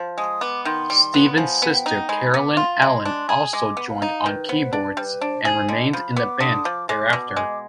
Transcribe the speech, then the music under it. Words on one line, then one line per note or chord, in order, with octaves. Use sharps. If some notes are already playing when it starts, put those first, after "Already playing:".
Steven's sister Carolyn Allen also joined on keyboards, and remained in the band thereafter.
Already playing: F3
G#3 D#6
B3 D6
D#3 C6
G3
B3
F3 G#5
B3
G5
D#4
G#3 B5
B3 D6
F4 C6
G#3
D4
G#4
G#3 D6
B3
F5
D#4
D#3 B4
B3 C5
D4 B4
G3 B4 C5
D4 C5
G#4 C5
D3 D#5
F3 B5
B3 D6
D3 D#6
F3 D6
G#3 D6
B2
G#3